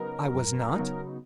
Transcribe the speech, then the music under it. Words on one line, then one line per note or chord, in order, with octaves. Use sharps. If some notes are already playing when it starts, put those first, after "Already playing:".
I was not.
Already playing: C#3 F#3 B3 D#4 A#4
F#2
C#3 F#3 B3 D#4